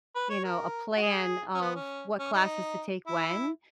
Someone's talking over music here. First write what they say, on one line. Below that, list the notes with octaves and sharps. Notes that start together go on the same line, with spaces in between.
you know, a plan of what classes to take when,
B4
C#5
A#4
F#4
G#4
C#4
B3
C#4
C#4
D#4
E4